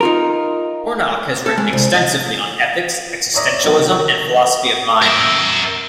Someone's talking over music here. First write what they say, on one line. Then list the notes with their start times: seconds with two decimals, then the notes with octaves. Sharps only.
Warnock has written extensively on ethics, existentialism and philosophy of mind.
0.01 D#4 F4 A#4
1.46 A4
1.58 G#3
1.73 C2
1.94 D#5
3.34 C#5 D5 E5 A#5 D#6 A#6
3.64 D#3 F#3 B3
3.79 C3 D#3
5.02 A#4 E5